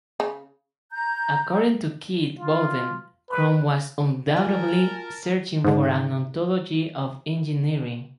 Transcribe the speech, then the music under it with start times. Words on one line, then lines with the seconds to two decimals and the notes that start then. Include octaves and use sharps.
According to Keith Bowden, "Kron was undoubtedly searching for an ontology of engineering".
0.20 C#3
0.91 A#5 G6
2.39 F4
3.30 B4
4.36 F4 A#4 G#5 A5
5.64 G#2 D3